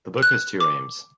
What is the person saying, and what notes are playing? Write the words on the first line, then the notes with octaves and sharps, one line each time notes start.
The book has two aims.
F#6
D6